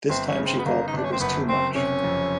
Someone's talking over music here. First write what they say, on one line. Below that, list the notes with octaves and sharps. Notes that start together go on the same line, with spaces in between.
This time she felt it was too much.
G1 C4
C#4
C#3
C4
B3
G1 A#3
D#4
G1 D4
C#4
C4
F#1 B3
F#1 C4
C3 C#4
F2